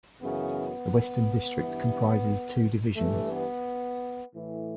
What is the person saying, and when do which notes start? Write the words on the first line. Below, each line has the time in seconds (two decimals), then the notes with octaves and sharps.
The Western District comprises two divisions.
0.22 F#2 C#3 E3 B3
1.60 G2 E3
2.96 G2 E3 A3
3.31 B3
4.35 A2 E3